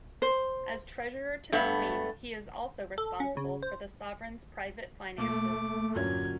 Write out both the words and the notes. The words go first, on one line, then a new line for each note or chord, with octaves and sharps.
As Treasurer to the Queen, he is also responsible for the Sovereign's private finances.
C5
G2 A3 B3
A4
C#4
C#3
C5
B2 A3 A#3 D6
E2 G2 A#2 D3 F#3 C#4 G#6